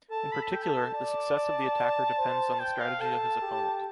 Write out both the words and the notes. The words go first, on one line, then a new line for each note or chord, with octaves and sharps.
In particular, the success of the attacker depends on the strategy of his opponent.
A4 A5
B5
A5
G5
A5
D5 A5
C5
G5
F5
A4 A5
G4